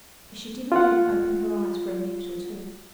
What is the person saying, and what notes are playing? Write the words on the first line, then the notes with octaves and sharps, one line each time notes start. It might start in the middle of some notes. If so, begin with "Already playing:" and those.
But she did not even open her eyes for a minute or two.
F4 F#5